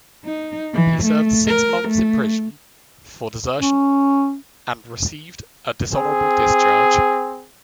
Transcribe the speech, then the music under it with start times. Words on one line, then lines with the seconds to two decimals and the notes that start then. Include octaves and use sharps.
He served six months in prison for desertion and received a dishonorable discharge.
0.24 D#4
0.73 E3
1.04 A3
1.48 A#4
1.88 A3
3.60 C#4
5.93 C4 G#4